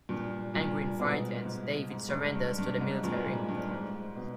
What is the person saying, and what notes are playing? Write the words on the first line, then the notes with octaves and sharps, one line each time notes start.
Angry and frightened, David surrenders to the military.
G2 A#2
G2 A#2
G#2 B2
G#2
G#2
G#2
G2
G2
G2
G#2
G2 A#2
A#2
G#2
G2
G#2
B2